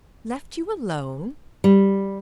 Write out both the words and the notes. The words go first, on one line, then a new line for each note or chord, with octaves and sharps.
Left you alone?'
G3